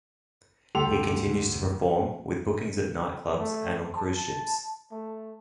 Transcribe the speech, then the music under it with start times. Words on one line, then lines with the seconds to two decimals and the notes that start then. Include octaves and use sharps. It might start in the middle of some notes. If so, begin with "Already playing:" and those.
He continues to perform, with bookings at night clubs and on cruise ships.
0.75 D2 G4 A4 G5 C6 F7
3.39 A3
3.96 A5
4.91 A3